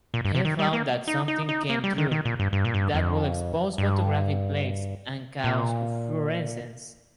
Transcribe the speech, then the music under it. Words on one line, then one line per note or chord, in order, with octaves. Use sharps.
He found that something came through, that would expose photographic plates and cause fluorescence.
A#2
G2
C3
D#3
G3
A#3
D#4
D#4
D#4
A#3
G3
D#3
D#3
A#2
G2
G2
A#2
G2
F2
G2
A#2